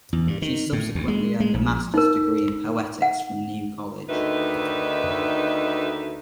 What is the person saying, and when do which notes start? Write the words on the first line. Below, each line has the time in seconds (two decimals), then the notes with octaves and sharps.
She subsequently earned a master's degree in Poetics from New College.
0.13 E2
0.27 G2
0.42 D#3
0.73 A2
0.95 D2
1.08 G#3
1.40 G#3
1.54 A#1
1.94 D#4 A#4
3.02 F#5
4.09 D2 D#3 D#4 B4 E5